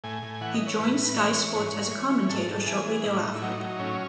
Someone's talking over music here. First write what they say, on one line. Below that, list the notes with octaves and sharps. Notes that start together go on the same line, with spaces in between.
He joined Sky Sports as a commentator shortly thereafter.
A2 G#5
A2
E3 F#5
D#5
E3
C#5
A2 B4
A2
E3 C#5
E3
G#2 C#5
G#2
E3
E3
G#2 A4
G#2
E3 G#4
E3
A2 E4
D#4
A2
E4
F#3 D#4
F#3
A2 C#4